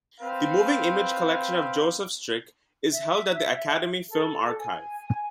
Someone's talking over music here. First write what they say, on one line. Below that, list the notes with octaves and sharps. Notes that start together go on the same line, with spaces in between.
The moving image collection of Joseph Strick is held at the Academy Film Archive.
C4 B4 F5
E5
A4
G#5